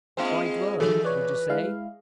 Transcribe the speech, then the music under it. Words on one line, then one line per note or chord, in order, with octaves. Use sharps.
Quite well, did you say?
G#3 A#3 C4 F4 D#5
D#3 E3 F#3 A4
B4 C#5 D5
G#3 E4 F5